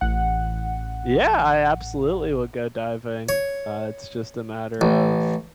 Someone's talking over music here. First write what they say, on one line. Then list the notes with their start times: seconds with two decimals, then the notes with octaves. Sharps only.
Yeah, I absolutely would go diving. Uh, it's just a matter of
0.01 A1 F#5
3.29 C#5
4.81 A1